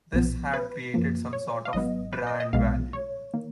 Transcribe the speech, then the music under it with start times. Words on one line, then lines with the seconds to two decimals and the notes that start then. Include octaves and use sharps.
This had created some sort of brand value.
0.13 B1 A#2 F3 B3
0.54 B4
0.94 F#2 F3 A#3
1.33 C#5
1.65 F5
1.73 G#1 G#2 F#3 B3 D#5
2.13 B4
2.27 D#5
2.40 D#5
2.53 B1 B2 G#3 B3 F5
2.93 C#5
3.34 D#3 A#3